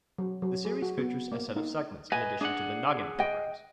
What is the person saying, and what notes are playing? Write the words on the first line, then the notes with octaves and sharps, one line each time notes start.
The series features a set of segments in addition to the "Noggin" programs.
F#3
F#3
G#4
F#4
B3
A#3
D#4
B4 D#5 G#5
D4 G#4 F#5
D#5 G5